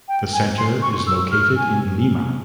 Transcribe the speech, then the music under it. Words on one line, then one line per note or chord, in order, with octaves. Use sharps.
The Centre is located in Lima.
G5
G#5
C6
C#6
E6
F6
G#5